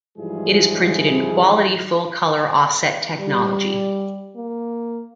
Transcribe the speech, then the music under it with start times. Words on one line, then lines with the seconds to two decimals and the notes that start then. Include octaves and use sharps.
It is printed in quality full colour offset technology.
0.18 G#2 E3 F3 G3 G#3 G#4
3.20 G3
4.36 A#3